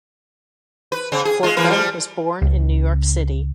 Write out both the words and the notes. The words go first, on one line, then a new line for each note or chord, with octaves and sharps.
Porco was born in New York City.
B4
C#3 C4
G#4
G#3 F4
E3 A#3 B4
F3 G3
C#2